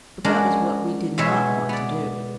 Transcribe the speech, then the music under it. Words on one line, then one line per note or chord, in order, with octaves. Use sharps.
But that was what we did not want to do.
G#3 C#4 D4 F#4 A#4
E2 B2 G#3 B3 C#5 E5
B3 D5